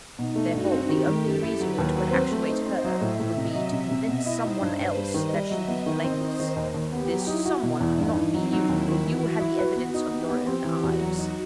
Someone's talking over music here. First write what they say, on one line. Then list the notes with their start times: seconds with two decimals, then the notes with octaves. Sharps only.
Therefore the only reason which could actuate her would be to convince someone else that she was blameless. This 'someone' could not be you, for you had the evidence of your own eyes.
0.18 B2 D#4
0.36 A3
0.53 G2 F#4
0.72 C4
0.89 D#3 G4
1.07 D#3
1.25 F#2 A4
1.42 E4
1.59 F#3 B4
1.78 D#2
1.95 F#3 C5
2.12 C4
2.31 A3 C5
2.49 D#4
2.66 C4 D#5
2.85 F#3
3.01 A2 E5
3.20 A2
3.37 C3 D#5
3.55 F#3
3.72 C3 E5
3.91 C3
4.08 B2 D#5
4.26 E4
4.43 D#4 C5
4.61 G2
4.79 G2 B4
4.96 G3
5.14 D#3 D#5
5.33 G3
5.50 F#3 E5
5.68 B3
5.86 D#3 D#5
6.04 C4
6.21 D#4 C5
6.40 D#3
6.56 D#2
6.74 D#2
6.93 B3 G4
7.10 F#3
7.27 D#4 E4
7.45 F#4
7.63 B2
7.80 E2
7.98 G2 D#4
8.17 E3
8.34 F#3 C4
8.52 F#3
8.69 D#2 E4
8.88 D#3
9.05 E3 F#4
9.23 E3
9.40 E4 F#4
9.59 B4
9.76 B3
9.94 D#4
10.11 B3 G4
10.30 B3
10.47 C4
10.65 E3
10.82 E2 F#4
11.01 F#3
11.18 D#4